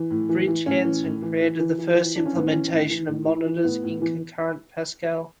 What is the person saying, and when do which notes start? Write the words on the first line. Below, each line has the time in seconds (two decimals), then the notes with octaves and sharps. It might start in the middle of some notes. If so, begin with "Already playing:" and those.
Brinch Hansen created the first implementation of monitors, in Concurrent Pascal.
Already playing: E3
0.10 A2
0.29 E3
0.47 E3
0.66 A2 C#4
0.85 E3
1.03 A2
1.22 E3
1.41 E3
1.59 E3
1.79 E3
1.96 E3
2.15 E3 D4
2.25 C#4
2.34 A2 B3
2.47 C#4
2.52 E3
2.71 A2
2.90 E3
3.08 A2
3.27 E3
3.46 E3
3.64 A2 B3
3.83 A2
4.02 E3